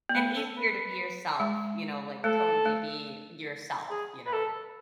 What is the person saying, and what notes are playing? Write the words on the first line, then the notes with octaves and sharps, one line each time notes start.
And easier to be yourself, you know, like, totally be yourself, you know?
B3
A3 B4
A4
B4
G#3
A3 A4
A3
G#4
B4
A4